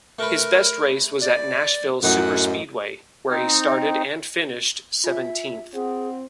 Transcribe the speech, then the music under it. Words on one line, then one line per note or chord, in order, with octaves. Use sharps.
His best race was at Nashville Superspeedway, where he started and finished seventeenth.
A3 A#4 B4
D5
A1 F#2 D#4 F#5
C4 D#4
F4 E5 G#5
C4 G#4 F#5